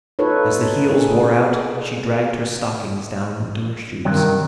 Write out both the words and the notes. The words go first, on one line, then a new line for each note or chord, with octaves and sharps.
As the heels wore out, she dragged her stockings down into her shoes.
D#4 F4 A4 B4 C#5
G#4
G2 C3 D#3 F#3